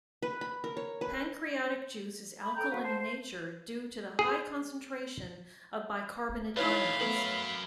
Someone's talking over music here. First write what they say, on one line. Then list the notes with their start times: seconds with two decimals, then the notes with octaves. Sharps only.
Pancreatic juice is alkaline in nature due to the high concentration of bicarbonate ions.
0.22 B4
0.41 B5
0.64 A#4
0.77 C#5
1.01 B4
2.42 B5
2.55 A4 G5 A#5 G6
2.70 F#4 B4 F5
2.83 C5 A5
3.01 C5
4.19 G#4
6.57 A3 D#4 E4 G#4 B4 C#5 F5 B5
7.00 F#3 A3 B3 A4 A#4